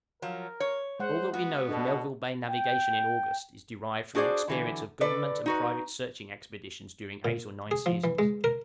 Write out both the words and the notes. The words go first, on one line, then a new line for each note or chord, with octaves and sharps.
All that we know of Melville Bay navigation in August, is derived from the experience of Government and private searching expeditions during eight or nine seasons.
F3 F#3 A#4
C#5
G#3 C5 F#5
B3 F#4
B2 D4 A4
G5
D4 F#4 G#4 C5 D5
D3 E3 F#3
D3 A4 B4 D5
D#4 F#4 B4
A#2
G#4
F3
E3
G#3
A#4